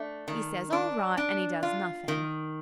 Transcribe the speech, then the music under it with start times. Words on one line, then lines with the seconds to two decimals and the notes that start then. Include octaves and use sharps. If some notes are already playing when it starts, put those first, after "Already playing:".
He says, 'All right,' and he does nothing.
Already playing: A3 D4
0.28 D#3
0.72 D4
1.17 D4
1.63 F4
2.08 D#3